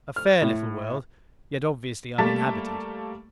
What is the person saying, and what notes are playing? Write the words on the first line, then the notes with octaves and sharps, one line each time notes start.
A fair, little world, yet obviously uninhabited.
F6
A2
G3 A3 A#3 A5 A6 B6